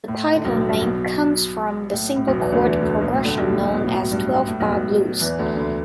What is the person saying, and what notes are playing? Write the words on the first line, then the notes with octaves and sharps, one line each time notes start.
The title name comes from the simple chord progression known as twelve-bar blues.
A2
D3
B1 B2
A2
G2
B1 B2
A2
A2
B1 B2
E2 E3
D2 D3
E2 E3
D2 D3
D3
B1 B2
A2
D2 D3
B1 B2
A2
A2
B1 B2
A2
A2
G2
A2
B1 B2
B1 B2
E2 E3
D2 D3
D2 D3